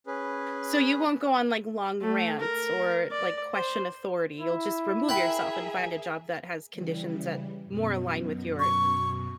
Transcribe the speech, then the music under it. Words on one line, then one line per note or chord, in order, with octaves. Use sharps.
So, you won't go on, like, long rants or, like, question authority. You'll just remove yourself and find a job that has conditions that more align with your
C#4 G#4 B4
A3
A#4
D5
C5
E4
G#4 A#4 E5 F#5 G5 B5
C#3 E3 G3
F#2 B2
C#6